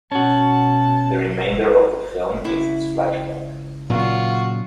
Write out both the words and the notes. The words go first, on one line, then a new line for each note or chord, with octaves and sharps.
The remainder of the film is his flashback.
B2 C#4 F#4 A5
C#2 E4
A#2 C#3 F#3 F4 F#4